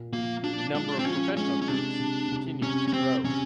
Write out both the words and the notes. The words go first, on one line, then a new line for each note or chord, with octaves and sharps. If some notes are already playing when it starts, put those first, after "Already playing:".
The number of professional groups continued to grow.
Already playing: A#2
F3 A#3
F3 D4
G#3 D4
C4
F3 C#4
G#3 C#4
C#4
C3 D4
C3
C3
C3 C#4
C#4
C3 C4
C3 C#4